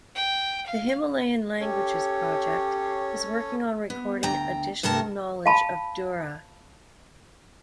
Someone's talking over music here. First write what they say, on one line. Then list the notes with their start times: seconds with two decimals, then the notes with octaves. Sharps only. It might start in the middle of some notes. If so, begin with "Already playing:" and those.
The Himalayan Languages Project is working on recording additional knowledge of Dura.
0.15 G5
0.66 F5
1.60 C#4 G4 A4 C#5
3.90 B3
4.23 D2 G5 A#5
4.83 G2 C3 A4 A#4 A5
5.46 F5 A5 B5